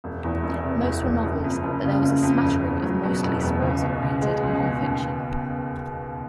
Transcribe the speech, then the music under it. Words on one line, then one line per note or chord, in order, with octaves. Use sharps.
Most were novels, but there was a smattering of mostly sports-oriented nonfiction.
E1
E2
E1
C3
E1
E2
F#1
F2
F#1
C#3
F#1
F2
E1
E2
F#3
B2
E1
E2
C#2
B2
C#2
G#3
C#2
B2
D#2